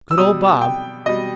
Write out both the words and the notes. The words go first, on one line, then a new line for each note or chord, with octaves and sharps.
Good old Bob!
E6
B2 G3 D#6
G5
B2 G3 D#5